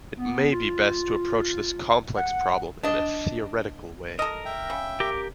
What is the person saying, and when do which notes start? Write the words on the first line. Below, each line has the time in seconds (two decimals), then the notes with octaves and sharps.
It may be best to approach this complex problem in a theoretical way.
0.19 B3
0.53 F4
2.17 F#5
2.83 D4 D#5
4.19 A4 A#4 D#5
4.45 E5 G5
4.70 C#3
5.00 G4 A#4 D6